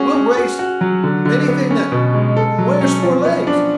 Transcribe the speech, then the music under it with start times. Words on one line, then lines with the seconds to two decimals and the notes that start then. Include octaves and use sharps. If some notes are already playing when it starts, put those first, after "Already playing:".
We'll race--anything that--wears four legs.
Already playing: C#4 F#4 G#4
0.15 C#4
0.37 F#4
0.59 F#4
0.81 F#3
1.04 D3
1.26 D3
1.48 B3
1.71 C#4
1.92 B2
2.14 G#3
2.37 A4
2.59 F#3
2.81 C#4
3.03 F3
3.25 B3
3.47 D4